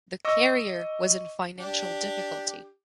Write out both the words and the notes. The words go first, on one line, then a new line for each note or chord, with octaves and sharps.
The carrier was in financial difficulty.
D#5 C#6 D6 E6 A#6
D4 G4